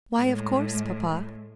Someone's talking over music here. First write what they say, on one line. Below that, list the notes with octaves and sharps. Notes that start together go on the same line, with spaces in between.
"Why of course, papa?"
A2 G#3